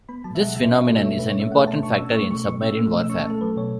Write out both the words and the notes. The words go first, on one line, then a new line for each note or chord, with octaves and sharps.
This phenomenon is an important factor in submarine warfare.
B3 B5
F#3 A5
E5
B2 F#5
B2 E5
C#4 F#4
A3 A4
E5
B2 C#5
B2 B4
C#5
C#4 E5
A3 F#5
B2 A5
B2 C#6
C#4 E6
A3 C#6
B2 C#6
B2 C#6
C#4 E6
A3
B2
E6
C#4 C#6
A5
A3
A4
F#3 B4
B2 C#5